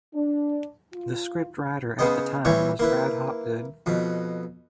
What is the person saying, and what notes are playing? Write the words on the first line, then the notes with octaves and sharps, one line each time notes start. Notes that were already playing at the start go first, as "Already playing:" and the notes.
The script writer at the time was Brad Hopgood.
D4
F4
C#3 B3 C5 D#5
E3 G3 C4 C#5
A#3 E4 B4
F2 B2